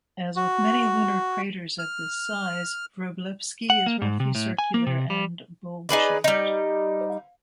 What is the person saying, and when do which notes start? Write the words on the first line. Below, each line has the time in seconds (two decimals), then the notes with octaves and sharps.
As with many lunar craters of this size, Wroblewski is roughly circular and bowl-shaped.
0.36 F#4
1.79 F6
3.70 F#5
3.86 A#3
4.02 G#2
4.20 C3
4.35 A2
4.59 G#5
4.74 A#3
4.87 C3
5.10 G3
5.89 D#4 G#4 B4 D5
6.24 G3 D#4